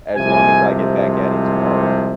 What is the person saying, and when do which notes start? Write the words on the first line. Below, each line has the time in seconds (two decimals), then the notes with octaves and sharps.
as long as I get back at it tomorrow."
0.16 C2 C3 F3 G#3 G#5